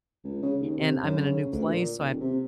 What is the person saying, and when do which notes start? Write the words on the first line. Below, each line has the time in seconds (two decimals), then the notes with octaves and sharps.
and I'm in a new place, so I
0.24 C#2
0.42 C#3
0.61 D#2
0.78 C3
1.03 F#2
1.17 C#3
1.52 D2
1.68 A#2
1.99 D#1
2.21 C3